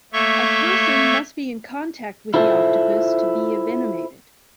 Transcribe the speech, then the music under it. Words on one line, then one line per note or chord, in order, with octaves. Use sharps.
A person must be in contact with the octopus to be envenomated.
A3 A#3 A4 C#5 E5 C#6
E4 F4 A4 C5 E5